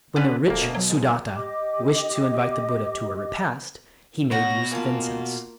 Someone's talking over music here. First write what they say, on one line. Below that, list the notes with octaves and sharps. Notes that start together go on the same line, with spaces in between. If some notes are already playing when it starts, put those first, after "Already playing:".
When the rich Sudatta wished to invite the Buddha to a repast, he made use of incense.
D3 C#4 B4
D#1 D2 A#3 A4
B2
F#3
G#2
G4 D#5 D6
B2 C#4 D#4 F#4 A#6
A#3 F4 G#5 A5